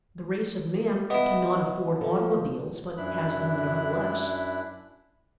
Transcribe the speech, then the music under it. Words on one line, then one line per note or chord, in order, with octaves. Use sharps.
The race of man cannot afford automobiles, but has them nevertheless.
B3 E4 D#5
F3 A4
F#2 D4 E4 B5 F#6